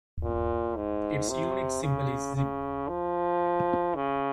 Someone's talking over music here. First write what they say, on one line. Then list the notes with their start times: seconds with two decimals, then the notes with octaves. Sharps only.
Its unit symbol is ZiB.
0.23 A#2
0.76 G#2
1.29 C3
1.83 C#3
2.36 C#3
2.89 F3
3.95 C#3